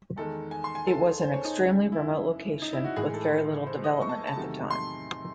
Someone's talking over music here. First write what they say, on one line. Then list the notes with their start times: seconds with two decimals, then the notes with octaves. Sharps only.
It was an extremely remote location with very little development at the time.
0.16 E2 D#3 G#3 A4
0.51 G#5
0.64 C6
0.75 G#5
0.87 A4
1.22 C5
1.34 C#5
1.45 D#4
1.57 F#2 C#3 G#3
1.92 E4
2.62 D#4
2.73 E4
2.84 F#4
2.96 A2 E3 G#3 G#4
3.14 A4
3.67 C5
3.84 D#5
4.01 C#6
4.09 A5
4.27 A5
4.36 E2 C3 D#3 F#3 A3
4.70 C6